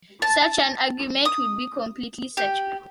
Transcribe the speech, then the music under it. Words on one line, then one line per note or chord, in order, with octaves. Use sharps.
Such an argument would be completely circular.
A5
D#6
G4